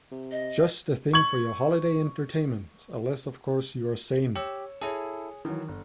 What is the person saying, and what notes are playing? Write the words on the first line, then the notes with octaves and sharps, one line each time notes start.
Just the thing for your holiday entertainment-unless, of course, you are sane.
C3
D#5
C#6 G#6 F#7
G4 C#5 E6
E4 G#4 A4 C#5
D#3 E3 F#3
G1